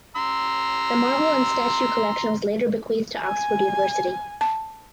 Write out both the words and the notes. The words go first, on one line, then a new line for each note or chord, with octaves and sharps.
The marble and statue collection was later bequeathed to Oxford University.
A#5 C6 E6
G#5
A5